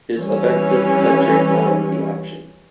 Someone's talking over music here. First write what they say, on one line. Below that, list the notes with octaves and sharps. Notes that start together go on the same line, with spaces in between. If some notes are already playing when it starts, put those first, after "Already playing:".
His offenses centered on the option.
E3 G3 C#4